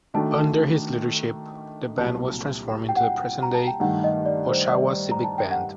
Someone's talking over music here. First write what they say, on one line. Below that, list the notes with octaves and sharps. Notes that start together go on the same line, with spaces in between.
Under his leadership, the band was transformed into the present-day Oshawa Civic Band.
D#3 A3 D4 F#4 A4 A5
C2 A#2 F#3 A5
G5
F#5
G5
A#5
A5
G5
G2 D#3 A3 D#4 F#5
D#5
D5
C5
D5
A#5
A5
G5
F#5